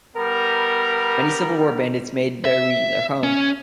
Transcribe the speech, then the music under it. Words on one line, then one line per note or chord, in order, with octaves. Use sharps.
Many Civil War bandits made the region their home.
G3 B3 A#4
E5
C#4